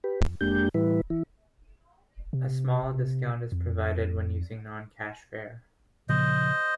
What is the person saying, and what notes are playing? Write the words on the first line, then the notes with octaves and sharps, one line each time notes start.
A small discount is provided when using non-cash fare.
G4 B4
F2
F2 G#3 A#3 D4 G4 G6
A2 E3 G3 E4 B4
E3 E4
C3
F2
A#2 C#3 F3 C5 D#5